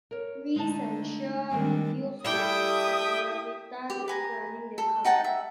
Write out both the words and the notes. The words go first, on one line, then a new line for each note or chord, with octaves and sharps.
Reese and Shaw deduce that Samaritan is running the company.
A#4 C#5
D3 G#3 A3 D#4 A5
D#3 G3 G#3 C4 D4 A#4
G3 E4 A4 E5 G5 D#6
G4
B4 G#5 A#5
A4
D#4 F#5 G5 A5
E5